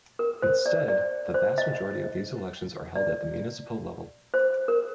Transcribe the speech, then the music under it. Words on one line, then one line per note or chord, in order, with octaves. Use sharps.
Instead, the vast majority of these elections are held at the municipal level.
A#4
C5
D5
D5
C5
D#5
D5
C5
A#4